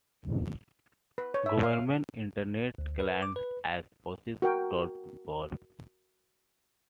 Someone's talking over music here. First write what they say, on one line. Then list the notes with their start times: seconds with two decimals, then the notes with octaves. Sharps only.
Government Internet clients as "osis dot gov".
1.18 B4
1.34 C#5
1.46 E5
1.63 F5
2.78 D2
3.00 B4
3.22 D6
3.36 B4
4.42 F#4 A#4 G5